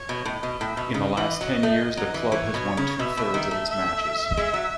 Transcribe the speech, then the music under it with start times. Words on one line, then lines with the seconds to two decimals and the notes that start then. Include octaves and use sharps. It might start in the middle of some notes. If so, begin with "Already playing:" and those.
In the last ten years, the club has won two thirds of its matches.
Already playing: C#5
0.09 B2
0.25 A2 D#5
0.43 B2
0.60 A2 E5
0.77 B2
0.94 C#3 D#5
1.17 E3
1.41 F#3
1.63 A3
1.97 F#3
2.14 E3
2.31 E3 C#5
2.54 B2
2.77 C#3
2.99 B2 E5
3.17 B2
3.34 D#3
3.51 A3
3.69 E5
4.37 G#3
4.54 F#3